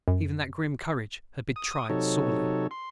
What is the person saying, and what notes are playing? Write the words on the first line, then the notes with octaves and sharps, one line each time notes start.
Even that grim courage had been tried sorely.
F#2
D#6
C3 F#3 D#4 A4 C#5
C6